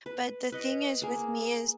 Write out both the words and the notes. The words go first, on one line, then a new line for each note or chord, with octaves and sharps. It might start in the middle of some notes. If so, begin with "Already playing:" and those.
But the thing is with me is
B4
B4 D#5 F#5
A#3 G#4